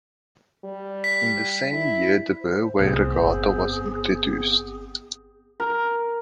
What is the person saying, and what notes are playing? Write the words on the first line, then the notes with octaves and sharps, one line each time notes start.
In the same year the Burway Regatta was introduced.
G3
B6
E4
C5
C2 A2 B3 C4 G#4
G1
A#4